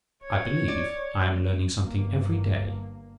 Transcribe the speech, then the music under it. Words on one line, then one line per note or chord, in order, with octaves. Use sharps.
"I believe I am learning something every day."
C#5
D5
G1 G2 A#3